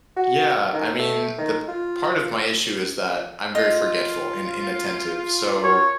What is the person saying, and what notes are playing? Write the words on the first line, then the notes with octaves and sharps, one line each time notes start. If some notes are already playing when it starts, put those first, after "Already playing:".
Yeah, I mean, the p part of my issue is that I'm very forgetful and inattentive. So,
F#4
D#3
A3
D#3
F4
F4 D#5
C#5